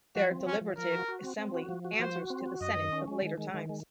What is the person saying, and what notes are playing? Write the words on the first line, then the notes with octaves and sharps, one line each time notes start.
Their deliberative assembly answers to the senate of later times.
F3 F#4
C4
F3 C#4
F3
F3 A#4
F#4
F#4
C4
C4
F#4
F3
F#4
F3 C5
F#4
C4
F#4
F#2 D#5
D#3
C#4
G#3
D#3
G#3
D#3
G#3